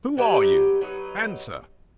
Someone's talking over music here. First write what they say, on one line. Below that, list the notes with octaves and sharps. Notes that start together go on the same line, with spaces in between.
Who are you? Answer!
F#3 B3 D#4 G4
F#3 B3 D#4